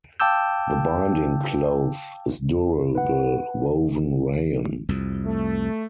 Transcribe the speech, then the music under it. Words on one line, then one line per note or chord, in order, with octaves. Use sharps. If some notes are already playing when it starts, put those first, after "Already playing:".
The binding cloth is durable woven rayon.
F5 G5 A5 D6 E6 G6
B4 F#5
C2 F2
A3